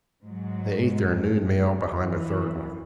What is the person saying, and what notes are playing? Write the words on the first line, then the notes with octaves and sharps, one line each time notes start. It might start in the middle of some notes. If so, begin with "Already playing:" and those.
They ate their noon meal behind a third one.
G#2 F#3 G#3
E3